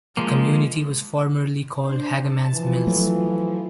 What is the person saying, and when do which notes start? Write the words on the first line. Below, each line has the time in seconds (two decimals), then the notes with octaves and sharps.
The community was formerly called Hagamans Mills.
0.17 F3 G#3 A#3
1.78 D4 C5
2.21 A5
2.54 E3 F3
2.87 F#3 A3